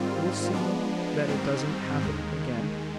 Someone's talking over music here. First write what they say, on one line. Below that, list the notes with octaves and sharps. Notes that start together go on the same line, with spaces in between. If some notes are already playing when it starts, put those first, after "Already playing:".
"We'll see that it doesn't happen again."
Already playing: G#2 D#3 G3 C4 F4
F3 G#3 B3 D4
G#2 D#3 G3 C4
D#2 D#3 G#3